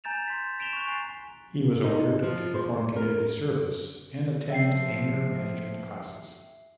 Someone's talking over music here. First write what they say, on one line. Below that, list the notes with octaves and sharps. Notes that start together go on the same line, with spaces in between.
He was ordered to perform community service and attend anger management classes.
G#5 A#5 G6 A6 E7 F7
C6 B6
B6 D7 E7 F7 G7
C#6 F#6
G#5 A#5 A6 C7 F7 G7
D#4
F3
C5
A#4
F3 E5 G5 C7